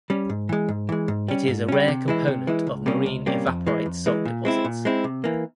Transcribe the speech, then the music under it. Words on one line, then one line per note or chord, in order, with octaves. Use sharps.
It is a rare component of marine evaporite salt deposits.
G3 C#4
G#2
E3 G#3
G#2
E3 G#3
G#2
G3 C#4
G#2
G3 C#4
C3
E3 G#3 E4
C3
E3 G#3 E4
C#2
C3 G3 A#3 C#4
C#2
C3 G3 A#3 C#4
F2
E3 G#3
F2
E3 G#3
A#2
G#3 C4 E4
A#2
G#3 C4 E4
C3
E3 A#3